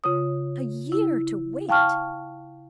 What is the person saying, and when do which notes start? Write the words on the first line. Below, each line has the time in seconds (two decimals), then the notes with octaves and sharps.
A year to wait!
0.04 C#3 F4 C#5 D#6
0.92 E4
1.69 F5 G5 A5 C#6 F6